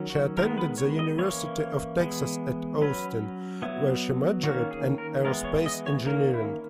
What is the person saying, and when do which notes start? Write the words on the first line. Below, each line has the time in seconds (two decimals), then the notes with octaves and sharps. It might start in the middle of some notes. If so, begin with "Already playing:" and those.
She attended the University of Texas at Austin, where she majored in Aerospace Engineering.
Already playing: D#3 F#3 C#4
0.10 F#4
0.37 D#3 G#3 B3 A#4
0.58 B4
0.78 C#5
0.99 D#5
1.18 E3 A#3 C#4 C#5
2.00 E3 G#3 B3
2.81 F#3 C#4 B4
3.62 F#3 B3 E4
4.43 D#3 A#3 C#4 F#4
4.71 G#4
4.98 A#4
5.25 E3 G#3 B3 A#4
5.45 C#5
5.66 D#5
5.86 C#5
6.06 D#3 A#3 C#4 A#4
6.34 E4